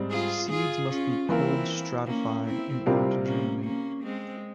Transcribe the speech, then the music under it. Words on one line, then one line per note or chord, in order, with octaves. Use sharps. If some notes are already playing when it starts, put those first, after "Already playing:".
Seeds must be cold-stratified in order to germinate.
Already playing: G#2 G3 C4
F4 G#4
F4 G#4
C#4 F4
E3 A#3 C4 E4 F4 A#4
A#3 C#4
C4 E4
C3 G3 C4 F4 A#4
A#3 C#4
A#3 C#4
G#3 C4